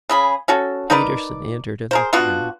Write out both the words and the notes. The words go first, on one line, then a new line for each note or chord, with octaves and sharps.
Peterson entered and looked around.
C#3 G#4 B5
C#4 F#4 A4
D#4 A#4 B4 D5
G#4 A#4 C5
B3 D4 F4 F#4